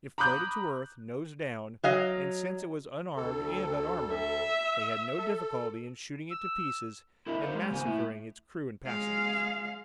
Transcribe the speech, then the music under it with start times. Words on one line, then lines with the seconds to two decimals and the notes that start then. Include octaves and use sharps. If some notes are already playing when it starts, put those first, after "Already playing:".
It floated to earth, nose down, and since it was unarmed and unarmored, they had no difficulty in shooting it to pieces and massacring its crew and passengers.
0.18 A#5 B5 D6 D#6 F#6 G6
1.84 F#3 D#5 F5
3.16 D2 A4
4.13 E5
5.18 A4
6.31 E6
7.26 E4 A4 A#4 D#5 E5
7.41 A#4 C5 C#5 F5
7.54 G3 G#3
7.71 C#2 A#3 C5 G#5
7.86 A3 E4 E5
8.87 G#3 F5